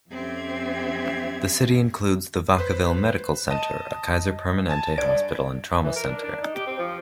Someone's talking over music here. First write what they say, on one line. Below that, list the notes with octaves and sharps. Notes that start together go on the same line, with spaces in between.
The city includes the Vacaville Medical Center a Kaiser Permanente hospital and trauma center.
F2 C4 C#4 G4 E5 G#6
B4 C5 B6
D#5 A5 D#7
G#5 A5 A6
G2 D5 D7
E3
A#4
D4
D4
D#4
G4
C4
F3